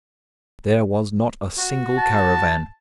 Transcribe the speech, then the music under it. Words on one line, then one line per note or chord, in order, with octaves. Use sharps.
There was not a single caravan.
F#4
A5